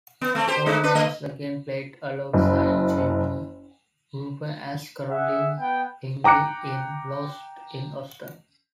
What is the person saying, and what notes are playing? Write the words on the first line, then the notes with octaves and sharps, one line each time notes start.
Cole once again played alongside Jemima Rooper as Caroline Bingley in "Lost in Austen".
B3
A3 C4
G4 C5
G#3 D#4
D4 B4
A3 D#5
F#1
G#4 E5 F#5
B3 G5
G5 A#5 D6 F#6 C#7